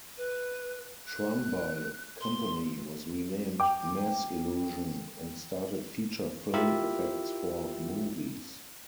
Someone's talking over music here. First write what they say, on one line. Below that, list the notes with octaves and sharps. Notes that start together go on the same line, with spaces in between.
Trumbull Company was renamed Mass Illusion and started feature film effects for movies.
B4
F#6
C6
G5 D6
E4 F4 G4 A#4 E5